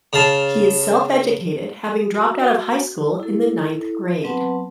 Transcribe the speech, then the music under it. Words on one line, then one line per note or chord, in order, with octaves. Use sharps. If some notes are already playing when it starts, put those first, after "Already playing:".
He is self-educated, having dropped out of high school in the ninth grade.
C#3 F5 A5
F#4
E4 A4
F#3 B3 C4 B4 F#5 A5